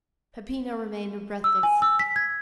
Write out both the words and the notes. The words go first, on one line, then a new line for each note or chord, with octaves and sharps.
Peppino remained breathless.
E6
G#5
E6
B6
G#6